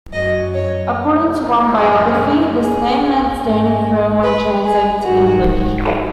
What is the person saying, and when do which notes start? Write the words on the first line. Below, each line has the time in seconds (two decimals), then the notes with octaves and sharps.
According to one biography, this name meant "standing firm" when translated to English.
0.12 F#2 F#3 D#5
0.54 C#5
1.77 F#2 C#3 G#3 G#4
2.60 G#4
3.42 G#2 G#3
4.23 B4
4.64 G#4
5.05 G#2 D#3 F#3 F#4